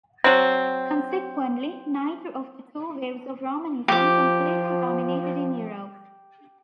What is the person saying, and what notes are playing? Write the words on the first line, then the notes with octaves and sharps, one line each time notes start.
Consequently, neither of the two waves of Romanism completely dominated in Europe.
F#3 C4
F3 G4 D6